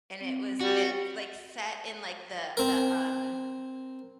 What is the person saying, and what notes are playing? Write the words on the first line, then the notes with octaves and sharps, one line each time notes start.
And it was and it's, like, set in, like, the the, um
C4
G3 F#4
C4 A#4